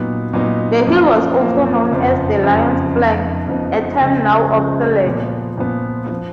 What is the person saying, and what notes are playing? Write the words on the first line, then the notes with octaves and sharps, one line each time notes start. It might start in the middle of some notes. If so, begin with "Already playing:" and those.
The hill was also known as "The Lion's Flank", a term now obsolete.
Already playing: A#2 F#3 B3 D#4
A#2 F#3 B3 D#4
F#2 F3 A#3 F4
F#2 F3 A#3 F4
F#1 F2 F3
F#1 F2 F3
F2 F3 B3 D#4
F2 F3 B3 D#4
C#2 C#3 F3 G#3
C#2 C#3 F3 G#3
A#2 F3 B3
A#2 F3 B3
F3